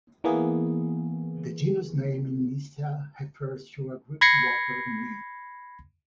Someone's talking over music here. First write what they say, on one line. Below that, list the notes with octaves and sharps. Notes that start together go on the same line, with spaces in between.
The genus name "Nyssa" refers to a Greek water nymph.
E3 A#3 B3 G#4
B5 G#6 A#6 C7 C#7